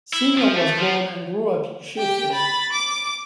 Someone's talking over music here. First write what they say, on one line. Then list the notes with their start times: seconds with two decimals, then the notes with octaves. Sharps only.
Senior was born and grew up in Sheffield.
0.13 E4
0.37 F3
0.56 A3
0.78 F3
1.98 G4 G5
2.32 B5 A6
2.72 D6